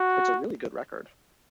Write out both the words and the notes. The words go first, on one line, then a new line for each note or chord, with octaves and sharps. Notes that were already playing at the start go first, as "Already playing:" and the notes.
It's a really good record.
Already playing: F#4